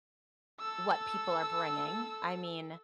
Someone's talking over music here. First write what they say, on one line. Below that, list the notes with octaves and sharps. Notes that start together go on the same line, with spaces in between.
what people are bringing. I mean,
A4 E6